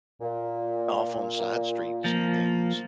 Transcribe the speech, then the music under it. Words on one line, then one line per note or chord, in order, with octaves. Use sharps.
off on side streets and things,
A#2
F3 A#3